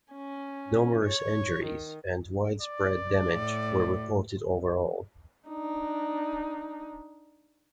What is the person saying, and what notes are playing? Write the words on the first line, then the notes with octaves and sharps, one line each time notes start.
Numerous injuries and widespread damage were reported overall.
C#4
C#5
D#3
D5
A2
D4 D#4